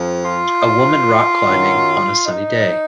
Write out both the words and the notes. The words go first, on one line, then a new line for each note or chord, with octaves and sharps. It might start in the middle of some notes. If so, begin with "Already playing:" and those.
A woman rock climbing on a sunny day.
Already playing: F2 F3
F4
F#2 D#3 F#3
D#4